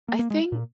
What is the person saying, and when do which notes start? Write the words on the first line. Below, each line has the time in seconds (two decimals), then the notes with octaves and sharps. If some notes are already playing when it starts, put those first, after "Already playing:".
I think
0.08 A#3
0.19 A#3
0.30 G#3
0.52 A#2